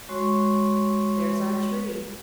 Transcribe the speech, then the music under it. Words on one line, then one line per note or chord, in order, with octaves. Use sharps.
"There's our tree."
G#3 F#4 C#5 C6 C#6